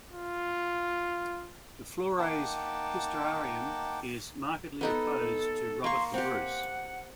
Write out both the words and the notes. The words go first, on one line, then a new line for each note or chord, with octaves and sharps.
The Flores Historiarum is markedly opposed to Robert the Bruce.
F4
A#3 D#4 F#5 G5 A5 D6
B3 D#4 A4 F#5
A#3 C6 C#6
C4 G4 F#5